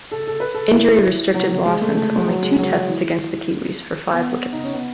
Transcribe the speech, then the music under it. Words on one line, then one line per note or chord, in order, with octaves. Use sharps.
Injury restricted Lawson to only two Tests against the Kiwis, for five wickets.
A4
A4
B4
A4
E4
F#3
F#3
G#3
A3
A3
G#3
F#3
G#3
F#3
F#3
E3
B3
D#4
C#4
B3